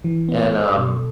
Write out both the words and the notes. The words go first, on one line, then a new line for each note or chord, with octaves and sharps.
and, um,
E3
B3
A4
B2